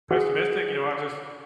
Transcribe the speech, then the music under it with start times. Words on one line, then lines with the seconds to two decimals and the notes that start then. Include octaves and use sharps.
pessimistic, you know, I just
0.11 F#4
0.15 G#4